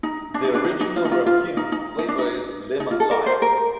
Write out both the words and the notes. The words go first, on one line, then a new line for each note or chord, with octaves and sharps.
The original ramune flavor is lemon-lime.
D#4
D4
D#4
D4
D#4
D#4
F4
D#4
F4
F4
D#4
D#4
D#4
D4
D#4
D#4
F4
A4
A#4
C5
A#4